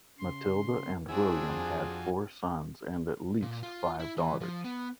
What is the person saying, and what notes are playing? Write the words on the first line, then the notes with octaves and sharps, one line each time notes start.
Matilda and William had four sons and at least five daughters.
C#3 C6
C4 D4 E4 F#4 G#4 G#5
F2
A#2
F4
E4
E3
F3
B3